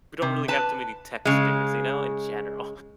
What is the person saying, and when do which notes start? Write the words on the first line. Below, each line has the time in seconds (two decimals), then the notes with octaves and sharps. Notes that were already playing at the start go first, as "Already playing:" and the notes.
we don't really have too many texters, you know, in general.
0.22 C3
0.48 B4 A5
1.25 C#3 G#3